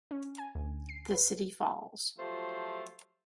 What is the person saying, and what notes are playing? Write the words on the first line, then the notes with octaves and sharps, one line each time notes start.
The city falls.
C#4
G#5
D2
C7
B4
F3 F#3 A3 F4 G4 C5